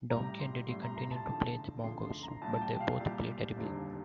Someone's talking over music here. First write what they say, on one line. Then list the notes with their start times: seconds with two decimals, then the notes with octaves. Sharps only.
Donkey and Diddy continue to play the bongos, but they both play terribly.
0.10 A1 A2 G3 A#5
0.40 C6
0.68 A1 A2 G3 C6
0.83 A#5
0.97 A#5
1.12 A5
1.26 D2 D3 F3 A5
1.84 D2 D3 F3 C6
2.03 C6
2.23 A#5
2.42 C2 A#2 G3 A5
2.54 A5
2.61 G5
2.81 F5
3.00 C2 A#2 G3
3.57 F1 D#2 D3 G3